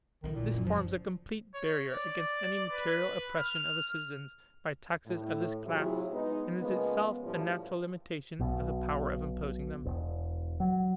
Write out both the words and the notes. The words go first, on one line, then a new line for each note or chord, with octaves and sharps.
This forms a complete barrier against any material oppression of the citizens by taxes of this class, and is itself a natural limitation of the power of imposing them.
D3 D#3 E4
A#2
F#1 F#3
F3
C#5
D5
B4
F6
A2
A2 C3 F#3 E4 F4 G#4
G#3 B3 D#4
C#3 F3 G#3 A#3 B3
F#2 A2 E3 F3 G3
B1 B2
E1
F#3